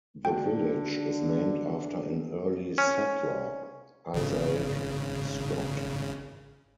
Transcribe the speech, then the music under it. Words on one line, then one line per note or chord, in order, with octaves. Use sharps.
The village is named after an early settler, Isaac Scott.
D3 G#3 D4 F#4 G5 A5
C#4
G#1 C#3